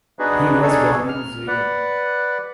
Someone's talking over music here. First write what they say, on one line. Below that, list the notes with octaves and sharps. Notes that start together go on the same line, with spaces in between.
He was born in Zuilen.
B3 D4 D#4 F#4 G#4 B4
D4 D#4 G#4 A4 C#5
F6
B4 D5 F#5